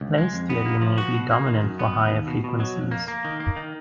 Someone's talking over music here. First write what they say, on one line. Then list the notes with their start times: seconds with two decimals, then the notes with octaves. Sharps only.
Place theory may be dominant for higher frequencies.
0.01 C#2
0.18 G#3
0.33 F2
0.50 B3
0.66 A#3
0.82 F3
0.98 F#4
1.14 B2
1.31 A#3
1.47 D#3
1.63 F#2
1.79 B3
1.95 D#2
2.12 D#2
2.27 B2
2.44 B2
2.60 F#3
2.76 F2
2.91 A#3
3.08 A#3
3.25 D#3
3.40 A#3
3.56 D#3